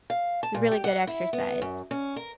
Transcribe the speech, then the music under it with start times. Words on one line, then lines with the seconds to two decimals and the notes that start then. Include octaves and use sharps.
Really good exercise.
0.10 F5
0.43 A5
0.54 A#2
0.71 G4
0.84 F#5
1.07 E4
1.33 B3
1.62 F#2
1.91 C#4
2.16 A#4